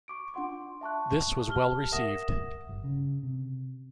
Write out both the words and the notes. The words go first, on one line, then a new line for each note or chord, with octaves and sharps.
This was well received.
C#6 D6 D7
D4 F4 F#5 C6 D6
E5 A5 C#6 F#6
G4 A5 F6 G7
A#4 E5 F#5 D#6 A#6 E7
G1
C#3
C3